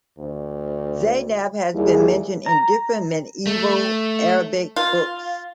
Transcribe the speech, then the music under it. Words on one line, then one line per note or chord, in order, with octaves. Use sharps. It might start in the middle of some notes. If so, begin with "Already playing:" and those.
Zaynab has been mentioned in different medieval Arabic books.
D2
D#2 G3 E4 G#4
A#5
A3
F4